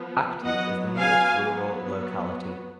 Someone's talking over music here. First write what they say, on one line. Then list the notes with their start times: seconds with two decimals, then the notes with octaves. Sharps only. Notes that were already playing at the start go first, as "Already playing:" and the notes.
Aktau is the nearest rural locality.
Already playing: F3 B3
0.45 F#3 B3 D#5 F#5
0.98 F5 G#5
1.51 F#3 B3